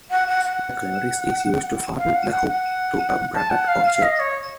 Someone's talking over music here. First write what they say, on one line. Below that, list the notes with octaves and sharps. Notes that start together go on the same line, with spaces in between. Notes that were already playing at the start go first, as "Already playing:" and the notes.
The clevis is used to fasten the hook to a bracket or chain.
F#5
F#5
F#5
F5
F#5
F#5
F#5
A5
F#5
F5
F5
D#5
C#5